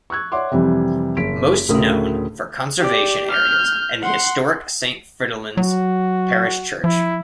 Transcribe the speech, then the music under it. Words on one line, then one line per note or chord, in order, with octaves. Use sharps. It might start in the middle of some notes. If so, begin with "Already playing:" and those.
Most known for conservation areas and the historic Saint Fridolin's Parish Church.
C#6 E6 F#6 G#6
C#5 D5 E5 F#5 C6 D6
F2 C3 E3 G3
F#1 B6 D7
D2 A2 C#3 A#4 D#6
G4 D5
F6 G6
F#5 C6
F#3 F#4
F3 E4